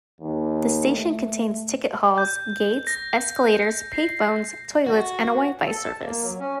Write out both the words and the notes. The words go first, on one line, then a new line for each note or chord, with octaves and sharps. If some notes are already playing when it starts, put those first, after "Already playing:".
The station contains ticket halls, gates, escalators, payphones, toilets and a Wifi service.
D#2
A3
G6
A#6
C7
F#4
A4
A5
A#3
F#3
C#4